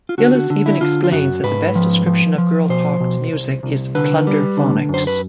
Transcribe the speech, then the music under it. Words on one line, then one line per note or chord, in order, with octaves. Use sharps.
Gillis even explains that the best description of Girl Talk's music is Plunderphonics.
F4
D3 F#4
F#4
D3
E4
D3 F4
F4
F#2 F#4
G#2 B4
F3
F3
F3
B2 C5
B2
C2
C2
D3 B4
G3
D3
F#2 C5
B4